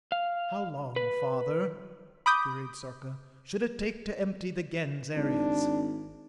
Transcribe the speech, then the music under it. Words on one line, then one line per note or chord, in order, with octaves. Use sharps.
"How long, father," queried Sarka, "should it take to empty the Gens areas?"
F5
B4
B5 D6 D#6 G6
G#1 D4